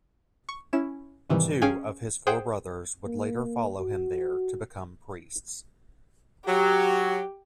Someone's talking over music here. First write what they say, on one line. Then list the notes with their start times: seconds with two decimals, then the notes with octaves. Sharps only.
Two of his four brothers would later follow him there to become priests.
0.49 C#6
0.73 C#4 E4 E7
1.30 G#2 C3 D#3 E3 G3
1.62 C#4 G#4 F5 G5 G#5
2.27 G#4 C5 F#5 G5 D#6
3.06 A#3
3.79 F#4
6.48 F#3 G4